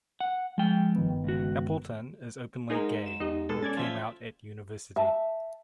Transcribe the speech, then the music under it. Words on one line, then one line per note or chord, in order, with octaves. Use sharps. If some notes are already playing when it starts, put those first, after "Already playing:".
Appleton is openly gay, and came out at university.
F#5
F3 G#3 G5
G1 D#3 B3
C#2 F#4
G#2 D#4 G#4 A#4
E7
E2 D#4 G4 D#5
B2 G#3 A4
C#4 D5 G#6 A6
F3 E5 G5
E5 A5